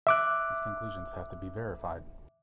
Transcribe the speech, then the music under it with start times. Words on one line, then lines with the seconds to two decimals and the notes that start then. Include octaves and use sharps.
These conclusions have to be verified.
0.07 E5 D6 F#6